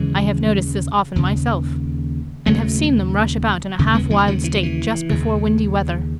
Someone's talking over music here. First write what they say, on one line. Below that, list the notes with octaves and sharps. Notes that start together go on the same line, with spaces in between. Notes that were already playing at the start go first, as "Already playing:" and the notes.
I have noticed this often myself, and have seen them rush about in a half wild state just before windy weather.
Already playing: D#2 C#3 E3 G#3
D#2 C#3
D#2 C#3 F#3 A3
D#2 C#3
G#3 B3
E3 G#3
D#3 F#3
E3
F#3
E3
D#2 C#3